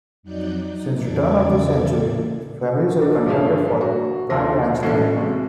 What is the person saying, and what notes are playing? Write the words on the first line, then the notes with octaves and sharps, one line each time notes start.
Since the turn of the century, families have contended for prime ranch land.
F2 F#3 D#4 D5 F#6 G6
D#4
E2 C#3 A4 D5 D6 G#6
D4 F#4
G2 F3 A3 G#4 E5 F5
F#4
D#2 F3 A#4 A5 C6 A#6
B1 A2 E3 A3 C#4 C7
C3 G#3 F#4